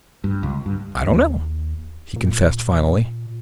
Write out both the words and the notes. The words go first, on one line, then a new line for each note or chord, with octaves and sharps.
"I don't know," he confessed finally.
G2
C#2
G2
D#2
A#2